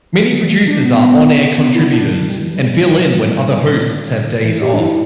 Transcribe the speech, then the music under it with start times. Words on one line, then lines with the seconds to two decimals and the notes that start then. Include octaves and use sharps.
Many producers are on-air contributors and fill in when other hosts have days off.
0.14 E3
0.32 D3
0.50 A3
0.67 D4
0.85 B3
1.57 B3
1.75 E4
1.93 D4
2.29 G3
2.42 E3
2.56 G3
4.44 E3
4.62 G4
4.73 D4
4.80 E4